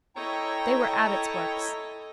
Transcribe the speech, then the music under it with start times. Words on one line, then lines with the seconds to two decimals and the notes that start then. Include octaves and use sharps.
They were Abbot's works.
0.16 E4 A4 C#5 D#5 G5 A#5 C#6